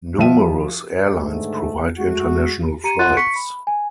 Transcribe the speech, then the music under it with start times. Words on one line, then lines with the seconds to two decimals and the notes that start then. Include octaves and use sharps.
Numerous airlines provide international flights.
0.19 F3 E5 D#7
1.19 D#2 G#2 D3 A3
1.98 G#3 A3 F#4
2.84 G4 A#5 C#7 D#7
2.99 F4 F#5 C6 F#6 A6 D#7
3.17 C#6 B6 C#7
3.36 B5
3.67 G#5